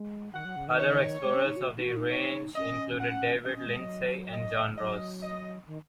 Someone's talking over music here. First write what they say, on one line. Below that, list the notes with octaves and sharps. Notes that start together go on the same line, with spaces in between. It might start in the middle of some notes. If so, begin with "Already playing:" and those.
Other explorers of the range included David Lindsay and John Ross.
Already playing: G#3
D#3 F#5
F#3
C#3
D#3
C#5
G#3
C#4
D#4
F#4
D#4
F#4
D#4
C#5
C#4 D#5
F#5
C#4 D#5
C#4
G#3
F#3
D#5
F#3 D#5
D#5
D#3